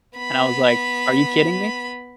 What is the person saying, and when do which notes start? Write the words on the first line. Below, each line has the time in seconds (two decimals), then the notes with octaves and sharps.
And I was like, "Are you kidding me?"
0.18 B3 B5